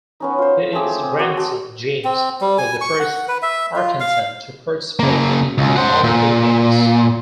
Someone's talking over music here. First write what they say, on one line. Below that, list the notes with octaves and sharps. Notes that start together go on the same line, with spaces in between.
His grandson, James, was the first Arkansan to participate in the Olympic Games.
B3 C#4 D#4
F4 C5
A3 C4 G#4 D6
C4
F#4 A#4 D5 F#5
F#4 A5
C4
G3
G#5
C#6
F#5
B4
E5
F4
F5
C#3 A#3
C#2
C5 F#5
A#2